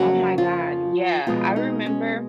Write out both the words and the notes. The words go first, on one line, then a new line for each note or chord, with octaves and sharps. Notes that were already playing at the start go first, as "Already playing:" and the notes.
Oh my god, yeah, I remember
Already playing: F2 C#3 F3 F#3 A#3 F#4
F3 F4
B2 F3 G#3 B3 F4
D#4
C#4